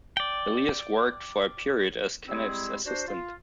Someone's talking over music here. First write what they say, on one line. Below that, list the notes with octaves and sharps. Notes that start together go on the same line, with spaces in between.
Elias worked for a period as Caniff's assistant.
D5 G5
G3 G#3 C4 E4 G#4
D4 F#4 C5
F4